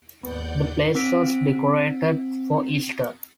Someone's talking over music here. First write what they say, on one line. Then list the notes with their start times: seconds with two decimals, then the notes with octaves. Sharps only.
The place was decorated for Easter.
0.23 D#2 G#2 B3 D5 F#5 G6
0.95 C4 E6 B6 D7